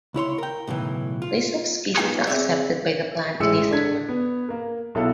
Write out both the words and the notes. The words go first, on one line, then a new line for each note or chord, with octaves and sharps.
List of species accepted by The Plant List Org.
C#2 E4 C#5 C6
A#4 G5
B1 A2 C#3 E3
F4
A#3 B3 D#4 F4 G5 G#5
C4 G#4 C#5 D5 E5
A1 E3 G#3 E4 E6 C#7
D4 A4 G#6 B6
B3
A#3 A#4
B1 E4 A4